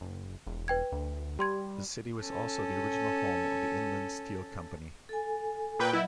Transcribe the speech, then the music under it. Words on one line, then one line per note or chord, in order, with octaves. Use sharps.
The city was also the original home of the Inland Steel Company.
F#1
E1
B4 G5 G#6
D2
G3 G4 C6 G#6
C#4 A4
A4 G#5
A#2 B4 G5
F#3 E4 D#5 F#5